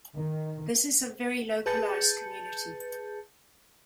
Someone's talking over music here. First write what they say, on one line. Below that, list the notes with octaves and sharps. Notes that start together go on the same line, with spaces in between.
This is a very localised community.
D#3
G#4 B4 A5 G6 A6 C#7